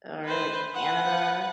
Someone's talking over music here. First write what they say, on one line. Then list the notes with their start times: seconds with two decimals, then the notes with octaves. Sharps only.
or, like, Canada
0.25 B4 C5
0.75 B4 F#5